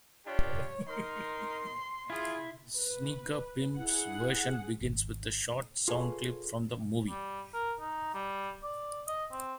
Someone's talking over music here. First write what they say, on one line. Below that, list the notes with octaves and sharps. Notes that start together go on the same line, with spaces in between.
Sneaker Pimps' version begins with a short sound clip from the movie.
D4 F4 G4 C#5
D#4 A#4 C6
E4 F4 G#4
B4
E4 G#4 F#5
G#1
F4 G#4 A4 B4 C#5
G3
A#4
D#4
G3
D5
D#5
C4